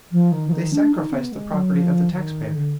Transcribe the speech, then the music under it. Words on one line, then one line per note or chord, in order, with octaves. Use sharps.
They sacrificed the property of the tax-payer.
F3
D#3
F3
D#3
D4
D#4
B3
G#3
F#3
F3
D#3
D3